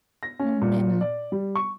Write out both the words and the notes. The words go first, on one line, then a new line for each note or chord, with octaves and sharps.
Oh man.
A#6
C#4
A#2
D5
G3
C#6